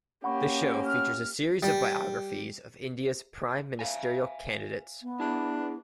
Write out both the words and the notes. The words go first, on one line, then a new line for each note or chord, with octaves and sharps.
The show features a series of biographies of India's prime ministerial candidates.
A#3 C#4 G4 F#5 B5 C#6
F6
G3
E5 F5 G#5
B3
D4 E4 G#4